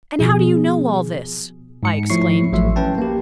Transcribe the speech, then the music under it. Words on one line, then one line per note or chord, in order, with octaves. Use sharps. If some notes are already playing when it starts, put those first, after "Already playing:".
"And how do you know all this?" I exclaimed.
B2 F3 G#4
G#2 C#7
F3 A3 E4 C#5 C#6 C7
A1 F3 F#3 A3 E5 C6
C#4 B4 G5 A5
A#3 G4